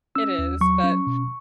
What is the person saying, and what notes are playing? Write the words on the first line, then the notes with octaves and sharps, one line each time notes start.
It is. But
C#4 E6
D#2
F#3 C#6
C#4
B2